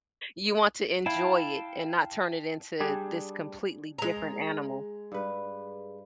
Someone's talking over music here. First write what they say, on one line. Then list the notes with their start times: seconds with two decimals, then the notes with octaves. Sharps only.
You want to enjoy it and not turn it into this completely different animal.
1.06 E4 F5 G5 A5
2.80 G3 D4 G4 G#4
3.98 G#3 A#5
5.12 G2 B4